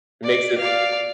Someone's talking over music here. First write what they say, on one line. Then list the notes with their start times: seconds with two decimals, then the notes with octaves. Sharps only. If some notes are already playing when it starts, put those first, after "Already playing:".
It makes it
0.23 D5
0.58 D5 F5